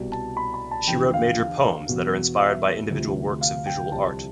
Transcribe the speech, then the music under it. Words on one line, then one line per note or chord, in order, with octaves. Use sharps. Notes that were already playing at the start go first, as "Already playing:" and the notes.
She wrote major poems that are inspired by individual works of visual art.
Already playing: C2 B2
A5
B5
B5
A5
E2 D3 F3 G5
F5
F5
E2 B2
E5
D2 C3 F3
F5
G5
C2 C3 F3 A5